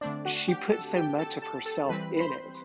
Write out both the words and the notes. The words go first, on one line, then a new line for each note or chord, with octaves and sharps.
She put so much of herself in it,
D3 A3 C4 D4 D5
F#4 F#5
G4 G5
A4 A5
G4 G5
A4 A5
A4 A5
A4 A5
E3 G3 C4 B4 B5
B5
C5 C6